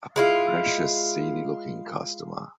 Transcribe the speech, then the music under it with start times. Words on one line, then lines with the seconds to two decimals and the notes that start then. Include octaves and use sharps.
A precious seedy-looking customer.
0.16 G#3 E4 F4